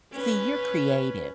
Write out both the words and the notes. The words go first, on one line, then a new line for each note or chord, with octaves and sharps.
See, you're creative.
C#4 B4